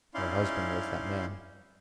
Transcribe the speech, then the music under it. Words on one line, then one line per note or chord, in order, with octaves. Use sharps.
Her husband was that man.
C#4 D#4 E4 D5 F5 C6